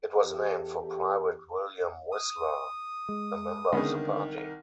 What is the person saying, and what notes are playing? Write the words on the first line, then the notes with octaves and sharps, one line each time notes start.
It was named for Private William Whisler, a member of the party.
E2 G4 A4
D#6
G#3
C2 D3 D#3 G#3 B3 C#4